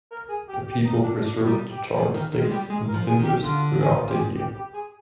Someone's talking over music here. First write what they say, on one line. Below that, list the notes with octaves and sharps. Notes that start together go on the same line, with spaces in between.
The people preserve the charred sticks and cinders throughout the year.
A#4
G#4
G4
G4
D#4
D4
D4
G3 D#4
G4
F3 G#4
D#3 A#4
D#3
G#3
G3 G4
G#3 G#4
A#4
F3
G#4
D#3
G4
D3 F4
G#4
D#4
F4
G4
G#4
G4
G4
G#4